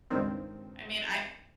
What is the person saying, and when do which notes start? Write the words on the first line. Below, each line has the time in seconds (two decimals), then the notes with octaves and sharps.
I mean, I
0.10 C#2 G2 D#3 C4